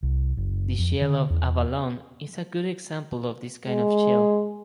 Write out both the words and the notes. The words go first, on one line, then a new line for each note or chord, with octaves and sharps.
The shell of the abalone is a good example of this kind of shell.
C2
F#1
F2
D3
E2
G#3